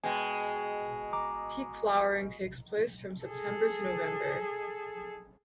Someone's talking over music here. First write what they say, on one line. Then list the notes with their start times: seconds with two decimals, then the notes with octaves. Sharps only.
Peak flowering takes place from September to November.
0.04 B2 G#3 G5 G#5
1.13 A#5 D6
3.26 G#4 A4